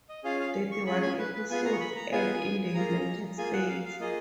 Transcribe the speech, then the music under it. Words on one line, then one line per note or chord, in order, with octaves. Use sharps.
Thirty-one episodes aired in the United States.
D#5
C#4 F4 G#4 F5
F5
C#6
C#4 F4 G#4 B5
G#5
B4
B4
B3 F4 G#4 G#5
A#5
C#6
B5
A#5
B3 F4 G#4 G#5
G#5
A#3 F4 G#4 A#5
A#3 F4 G#4 G#5
F#5
F5
F5
A#3 F4 G#4 D#5